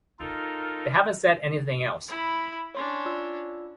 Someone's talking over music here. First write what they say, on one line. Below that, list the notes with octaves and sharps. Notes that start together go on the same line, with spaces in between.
They haven’t said anything else.
D#4 F4 A4 A#4
E4 B5
C#4 D4 C#5 C6
F4 D5 E6